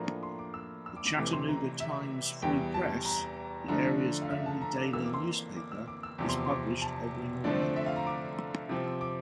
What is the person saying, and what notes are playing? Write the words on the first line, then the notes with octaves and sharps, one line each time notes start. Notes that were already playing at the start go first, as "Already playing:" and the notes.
The "Chattanooga Times Free Press", the area's only daily newspaper, is published every morning.
Already playing: A2 F3 A#3 D4 A#5
C6
D6
E6
E6
D6
D6
F2 C3 E3 A3 D6
C6
A#5
E5
E2 E3 G3 G5
A5
A#5
D3 F3 A3 D4 A#5
F5
E5
A5
A#5
D6
F2 E3 A#3 E6
D6
C6
D6
E6
D6
E6
E2 C3 F3 C4 D6
C6
D6
C6
D6
A5
D3 F3 A3 C4 D5
D5
E5
F5
A#5
D6
C3 F3 C4
D6